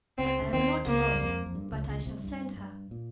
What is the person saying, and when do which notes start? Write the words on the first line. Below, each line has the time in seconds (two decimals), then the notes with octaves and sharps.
"I am not going, but I shall send her."
0.18 C#2 C#3 C4
0.42 C#3
0.53 D#2 D#3 C4
0.87 C#2 C#3 A#3
1.14 G2
1.21 F2
1.46 F2
1.55 G2
1.72 C#2 C#3
1.89 C#2 C#3
2.06 C2 C3
2.23 G2
2.57 G2
2.91 A#2